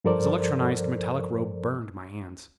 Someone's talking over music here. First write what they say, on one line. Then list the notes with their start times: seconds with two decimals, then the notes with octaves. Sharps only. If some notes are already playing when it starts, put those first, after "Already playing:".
His electronized metallic robe burned my hands.
0.04 G2 F3 A4 A#4 C5 D5